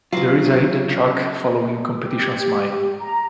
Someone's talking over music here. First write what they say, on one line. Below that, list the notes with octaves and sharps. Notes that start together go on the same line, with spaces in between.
There is a hidden track following "Competition Smile".
C#3 F#3 F4
G4
A#5